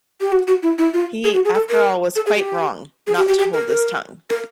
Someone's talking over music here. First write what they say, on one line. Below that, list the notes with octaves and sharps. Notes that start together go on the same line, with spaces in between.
He after all was quite wrong — not to hold his tongue.
G4
F#4
F#4
E4
E4
F4
G#4
F#4
G#4
A4
A#4
A4
G#4
G4
G#4
G4
G4
G4
A#4
A#4
A#4